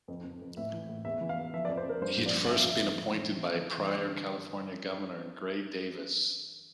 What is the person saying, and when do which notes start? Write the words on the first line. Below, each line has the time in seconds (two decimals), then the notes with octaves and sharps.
He had first been appointed by prior California Governor Gray Davis.
0.08 F2
0.24 F2
0.41 F2
0.57 A2 E5
0.72 E3
0.89 A2
1.05 E2 E5
1.21 E3
1.29 F5
1.37 E2
1.54 F3 E5
1.65 F2 D5
1.77 C5
1.85 F2 A#4
2.01 G2 C5
2.18 F3
2.26 D5
2.33 G2
2.49 F3 E5
2.59 F5
2.66 D3 E5
2.82 F2
2.98 A2
3.14 E3
3.29 E3
3.46 E3
3.62 E3
3.78 E3
3.94 G2
4.10 D3